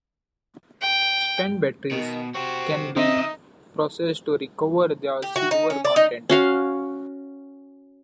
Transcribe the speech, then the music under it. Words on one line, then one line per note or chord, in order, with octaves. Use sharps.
Spent batteries can be processed to recover their silver content.
G5
B2 D#3
C4 F#4 G4
C#3 C4 D#4 D#5 E5
G4
F#4
D#4
C#4
D5
D#4
C#4 F#4 F5